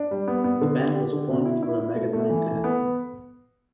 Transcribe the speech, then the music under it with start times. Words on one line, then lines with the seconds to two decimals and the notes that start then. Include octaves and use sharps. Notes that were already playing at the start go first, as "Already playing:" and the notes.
The band was formed through a magazine ad.
Already playing: D4
0.11 G3
0.28 B3
0.44 B3
0.61 D3
0.79 G4
0.95 G4
1.12 D3
1.29 B2
1.45 E4
1.63 E4
1.80 E4
1.96 A3
2.13 A3
2.29 E3
2.46 A3
2.64 B3